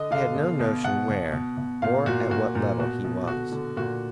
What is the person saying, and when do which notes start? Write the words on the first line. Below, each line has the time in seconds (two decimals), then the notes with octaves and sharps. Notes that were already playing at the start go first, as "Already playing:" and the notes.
He had no notion where or at what level he was.
Already playing: D3 D#5
0.11 D3 F5
0.36 B2
0.59 B2
0.84 B2 F#5
1.09 B2
1.32 B2
1.57 B2
1.82 A#2 F5
2.06 A#2 F#4
2.30 A#2 F#4
2.55 A#2
2.79 B2 F#4
3.04 B2
3.28 D3 F#4
3.52 D3
3.77 A#2 F#4